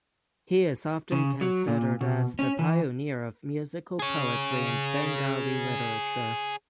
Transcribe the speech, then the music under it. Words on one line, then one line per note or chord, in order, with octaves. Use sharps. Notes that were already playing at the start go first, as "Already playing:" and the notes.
He is often considered as the pioneer of musical poetry in Bengali literature.
C#3
F#3
A#2
B2
C#4
E3
G#4 C#5